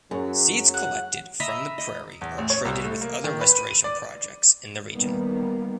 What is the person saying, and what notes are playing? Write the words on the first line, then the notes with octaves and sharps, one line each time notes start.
Seeds collected from the prairie are traded with other restoration projects in the region.
F#2 F#3 G#4 C#5
F#5
D#5 E5 A#5 B5
D#5
E2
A1
C#5
C2
A3
A#3
D#3
B4
D#7
D#7
D5
D#3 G3 A#3 B3